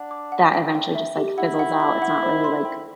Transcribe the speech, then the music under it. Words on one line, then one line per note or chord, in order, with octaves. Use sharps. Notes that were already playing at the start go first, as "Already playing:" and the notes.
that eventually just, like, fizzles out? It's not really, like,
Already playing: D4 F#5
D6
F#5
G5
G5
E5
G4
E4 F#5
F#5
B5
F#5
C5
C6
G5